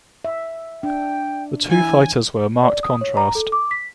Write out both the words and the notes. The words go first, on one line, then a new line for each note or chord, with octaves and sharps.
The two fighters were a marked contrast.
E5
D4 G5
E3 E4 G#5
D5
D#6
C#5
A#5
A4
D6
B6